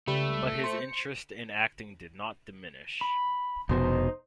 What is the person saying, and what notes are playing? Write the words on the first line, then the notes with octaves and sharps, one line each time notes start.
But his interest in acting did not diminish.
C#2 G3 A3 B4
C5 C#7
B5
F1 B2 D#4 C5